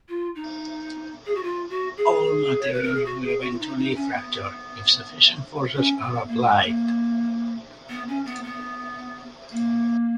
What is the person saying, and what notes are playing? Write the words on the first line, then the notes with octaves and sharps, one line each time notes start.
All materials will eventually fracture, if sufficient forces are applied.
F4
D#4
G#4
F#4
F4
F#4
G#4
C#5
B4
A#4
G#4
F#4
G#4
F#4
F4
D#4
D#4
C#4
B3
C#4
B3
A#3
G#3
A#3
B3
C#4
B3
B3
A#3